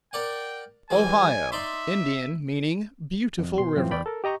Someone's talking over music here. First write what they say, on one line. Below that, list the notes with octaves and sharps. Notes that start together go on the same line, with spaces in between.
Ohio--Indian; meaning "beautiful river."
A#4 D5 F#5 G5
E3 G3 G#3 G#5
D#4 D5 E5 C6
F2
B2 C6
F#2 E3 F3 C4
E2 D5 G5 B5
A4 A#4
G4 D#5 A#5 C#6